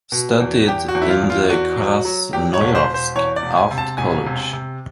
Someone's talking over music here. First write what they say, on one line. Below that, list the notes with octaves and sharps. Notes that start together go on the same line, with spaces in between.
Studied in the Krasnoyarsk art college.
B2
E2
E2 G4
F#4
E2
E4
F4
E2
F4
E2 F#4
F#3
F#3
E2 G4
C#5
E1
C5
E1
C5
E2 C#5
D5
E1
G#5
C3
A5
E1 G#5
C3
C3